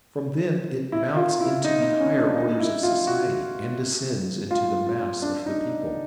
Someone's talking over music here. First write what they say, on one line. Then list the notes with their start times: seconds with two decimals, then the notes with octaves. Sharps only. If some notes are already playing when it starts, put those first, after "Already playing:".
From them it mounts into the higher orders of society, and descends into the mass of the people.
0.92 E4
1.16 F4
1.41 E4
1.64 D#4
1.82 D#4
2.00 C#4
2.18 D4
2.36 D#4
2.60 E4
2.83 F4
3.07 F#4
4.51 F4
4.87 F4
5.22 D4
5.46 D#4